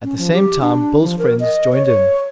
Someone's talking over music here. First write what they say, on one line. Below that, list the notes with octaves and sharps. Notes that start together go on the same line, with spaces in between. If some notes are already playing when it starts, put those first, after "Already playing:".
At the same time Bill's friends joined in.
C#4
F3
G4
D4
F3
A#4
D#5
C#5
C#5